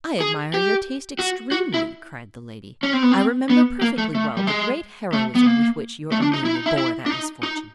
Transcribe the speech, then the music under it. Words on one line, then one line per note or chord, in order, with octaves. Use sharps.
"I admire your taste extremely," cried the lady; "I remember perfectly well the great heroism with which your Amelia bore that misfortune."
G#4
G4
F#4
F#4
E4
C#4
C4
B3
C4
B3
A#3
A3
A3
G3
G#3
A3
B3
A#3
A3
D4
D#4
E4
D#4
E4
E4
D4
D#4
D#4